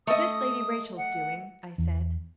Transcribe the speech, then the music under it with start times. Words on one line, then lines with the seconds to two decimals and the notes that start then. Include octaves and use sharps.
"Is this Lady Rachel's doing?" I said.
0.07 A3 D#5 D#6
0.97 F#5
1.78 E2